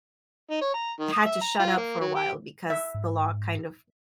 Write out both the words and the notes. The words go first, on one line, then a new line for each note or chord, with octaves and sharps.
had to shut up for a while, because the law kind of
D#4
C#5
A#5
D#3
D#6
E5
A#5
F4
A#3
F#3
G4
E5
G#2